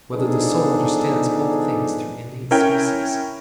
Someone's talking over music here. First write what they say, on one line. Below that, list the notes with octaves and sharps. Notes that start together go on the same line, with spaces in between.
Whether the Soul Understands All Things Through Innate Species?
F3 B3 D4 D#4 G#4 A4
C#4 E4 A#4 C#5 G5